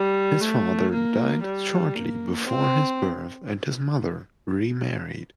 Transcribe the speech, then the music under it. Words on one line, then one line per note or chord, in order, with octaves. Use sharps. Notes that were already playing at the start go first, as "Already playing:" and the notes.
His father died shortly before his birth and his mother remarried.
Already playing: G3
A3
A#3
G3
A#3
C4